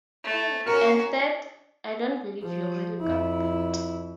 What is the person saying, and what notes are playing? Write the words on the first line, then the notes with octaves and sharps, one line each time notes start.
And third, I don't believe you really got bit.
A3
C#4 F#4 A#4
F3
F2 E4